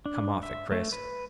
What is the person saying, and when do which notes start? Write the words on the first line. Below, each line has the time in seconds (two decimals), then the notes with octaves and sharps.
"Come off it, Chris!"
0.06 D4
0.43 E5
0.72 A3
0.93 B4